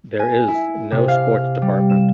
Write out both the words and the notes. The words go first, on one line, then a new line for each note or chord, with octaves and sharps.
There is no sports department.
G#5
E4
C3
F5
G3
E7